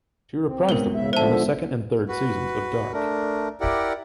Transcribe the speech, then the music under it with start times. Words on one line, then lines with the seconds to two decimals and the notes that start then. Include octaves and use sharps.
She reprised the role in the second and third seasons of "Dark".
0.46 C4
0.69 G#2 B2 A#4 G7
0.95 C#3 E5
1.13 D3 F3 C5 E5 A5
2.08 F#4 B4
2.93 A3 D4 A#4
3.61 E4 G4 A#4 D5 F#5